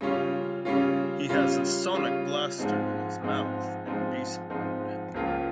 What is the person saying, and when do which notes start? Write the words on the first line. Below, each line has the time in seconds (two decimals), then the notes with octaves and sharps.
He has a sonic blaster in his mouth in beast mode.
0.01 C#3 G3 C#4 F4
0.65 C#3 G3 C#4 F4
1.29 C#3 G3 C#4 F4
1.93 C#3 G3 C#4 F4
2.58 G#2 F3 G#3 C4 D#4
3.22 G#2 F3 G#3 C4 D#4
3.86 G#2 F3 G#3 C4 D#4
4.50 G#2 F3 G#3 C4 D#4
5.14 C#2 C#3 F3 A#3 F4